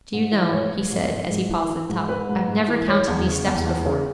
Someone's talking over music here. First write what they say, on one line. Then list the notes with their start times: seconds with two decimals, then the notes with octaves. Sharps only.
'Do you know,' he said, as he paused at the top, 'I've never counted these steps before.
0.13 G#2
0.32 E3
0.51 G#2 C#5
0.71 G#2
0.92 G#2
1.11 G#2
1.31 G#2
1.50 E3
1.70 E3
1.89 G#2
2.09 G#2 B4
2.29 G#2
2.48 G#2
2.68 E3
2.87 E3 C#5
3.08 E2
3.27 C#3
3.47 E2
3.66 E2
3.86 C#3